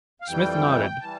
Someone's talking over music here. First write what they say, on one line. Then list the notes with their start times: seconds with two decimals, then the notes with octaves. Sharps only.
Smith nodded.
0.21 F5
0.27 F2 E3 G3 G5
1.01 E3 G3 A5